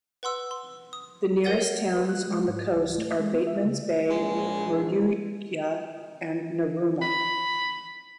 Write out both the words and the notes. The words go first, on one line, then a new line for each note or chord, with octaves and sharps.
The nearest towns on the coast are Batemans Bay, Moruya and Narooma.
B4 F#5 C6 E6
C6
D#6
A#4 C#5 F#5 A6 D#7
B4
F#6
G#3
G#2
C#2
A3
G#3
B3
E5
C#3
A#1 G#3
B5